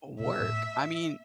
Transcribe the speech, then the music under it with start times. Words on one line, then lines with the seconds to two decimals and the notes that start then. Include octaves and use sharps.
work. I mean,
0.20 B2 E5
0.40 A2